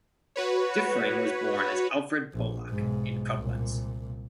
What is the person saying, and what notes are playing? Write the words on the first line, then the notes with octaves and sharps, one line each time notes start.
Diffring was born as Alfred Pollack in Koblenz.
F#4 B4 C#5
A#1
B1 G#2
C2 A#2